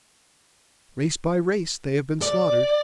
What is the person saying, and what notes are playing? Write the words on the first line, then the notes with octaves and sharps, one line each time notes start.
Race by race they have been slaughtered.
D5